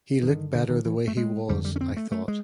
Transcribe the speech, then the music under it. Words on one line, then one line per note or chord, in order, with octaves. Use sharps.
He looked better the way he was, I thought.
G2 D3 D#3
D3
D#3
E3
A3
G#3
F2 D3 G3
G3
C#4
C4
A3
A3
G#3